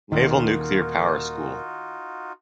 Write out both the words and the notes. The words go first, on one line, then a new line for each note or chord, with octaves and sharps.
Naval Nuclear Power School.
D#1 D#2 D#3 D#4 F4 F#4 A#4